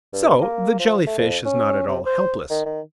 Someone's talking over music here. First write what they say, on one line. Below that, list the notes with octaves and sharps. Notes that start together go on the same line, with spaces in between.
So the Jelly-fish is not at all helpless.
G2
A#3
F3
A3
F2
C#4
C3
C5
D#3
D#3